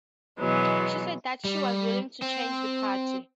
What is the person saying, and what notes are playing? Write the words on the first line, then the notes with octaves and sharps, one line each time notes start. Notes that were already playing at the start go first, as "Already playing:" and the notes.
She said that she was willing to change the party.
B2 E3 F#3 G#3 B3
G3
C4